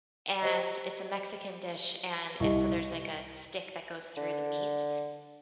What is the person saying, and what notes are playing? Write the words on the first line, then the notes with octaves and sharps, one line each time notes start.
and it's a Mexican dish, and it so there's, like, a stick that goes through the meat,
G4 C5 D#5
C2 G4 D#5 C#6
D3